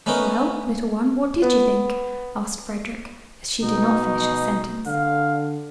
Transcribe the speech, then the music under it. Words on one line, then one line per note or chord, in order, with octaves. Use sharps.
'Well, little one, what did you think?' asked Frederick, as she did not finish her sentence.
A3 B3 C#4 D#4 A#4
B3
B2 D#4
D3 F5